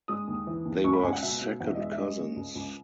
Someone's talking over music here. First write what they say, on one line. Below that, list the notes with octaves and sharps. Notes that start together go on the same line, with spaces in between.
They were second cousins.
G#3 D#6
D#2
E3
D#2
C#2 C#6
B5
C#2 G#5
F#5
B2 E5
B2
E2 F#5
E5
D#5
G#3 E5
E5
G#3 D#5
C#3
C#2
C#2